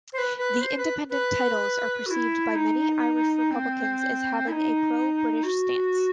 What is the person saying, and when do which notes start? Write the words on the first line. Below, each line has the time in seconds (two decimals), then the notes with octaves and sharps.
The "Independent" titles are perceived by many Irish republicans as having a pro-British stance.
0.13 C5
0.18 B4
0.37 B4
0.61 C5
0.77 B4
1.10 B4
2.06 F#4
2.11 E4
2.55 D#4
3.51 C4
4.48 E4
4.52 D#4
5.43 F#4